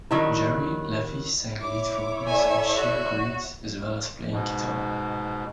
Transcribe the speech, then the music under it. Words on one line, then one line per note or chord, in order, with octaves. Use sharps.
Gerry Laffy sang lead vocals in Sheer Greed, as well as playing guitar.
D#3 F#3 G3 E4 D#5 C#6
E4 C#5 D6
A4 D5 E5 G#5
F#4
G#2 B2